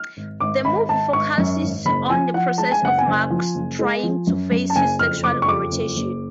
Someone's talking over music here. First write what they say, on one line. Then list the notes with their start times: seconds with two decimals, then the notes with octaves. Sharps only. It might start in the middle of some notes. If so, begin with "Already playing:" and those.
The movie focuses on the process of Mark's trying to face his sexual orientation.
Already playing: F6
0.17 G#1
0.40 G#1 D6
0.65 G#1 B5
0.89 G#1 A5
1.13 G#1 C#6
1.38 F#2
1.62 G#1
1.85 F#1 B5
2.10 F3 G#5
2.34 F3 F#5
2.58 G#3 A5
2.72 G#5
2.82 F#1 F#5
2.98 G#5
3.07 F#1
3.30 F3
3.55 F#1
3.79 G#3
4.03 F3
4.27 F#2
4.51 F#2
4.70 A5
4.76 F#1 G#5
4.99 F2 F6
5.24 F#1 D6
5.42 C#6
5.48 F2 D6
5.72 F#1
5.96 F#1